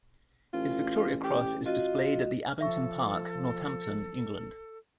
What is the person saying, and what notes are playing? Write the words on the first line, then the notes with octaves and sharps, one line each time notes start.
His Victoria Cross is displayed at the Abington Park, Northampton, England.
A1 F4
G4
F4 F#4 D#5
F3 A4 E5 C#6